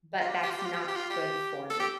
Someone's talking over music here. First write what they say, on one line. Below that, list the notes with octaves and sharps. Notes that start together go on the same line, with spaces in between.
but that's not good for me.
F4
G4
F4
G4
F4
G4
F4
G4
F4
G4
F4
G4
A4
G4